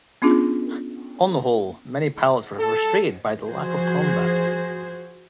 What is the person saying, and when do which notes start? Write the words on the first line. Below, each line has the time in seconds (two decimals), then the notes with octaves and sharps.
On the whole, many pilots were frustrated by the lack of combat.
0.22 B3 C#4 D4 F4 G#4
2.59 A4
3.47 F3 F#4 G#4 C5